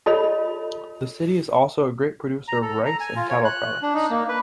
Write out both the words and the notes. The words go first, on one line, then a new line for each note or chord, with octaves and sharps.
The city also is a great producer of rice and cattle products.
F4 A4 C#5 D#5 B5
A#5
A4
A#5
G#5
F4
C#5
F#6
D4
D#4
A#3
B4